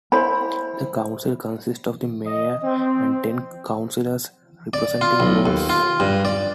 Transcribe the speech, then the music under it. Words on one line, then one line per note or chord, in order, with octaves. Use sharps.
The council consists of the mayor and ten councillors representing wards.
E4 C5 B5
D#5
C4
D5
F4
B1
D#2
F4
G2
D5